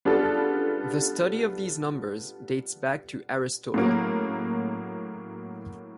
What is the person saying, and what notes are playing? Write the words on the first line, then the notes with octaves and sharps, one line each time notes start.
The study of these numbers dates back to Aristotle.
G3 B3 D4 F4 A4
A2 F#3 A#3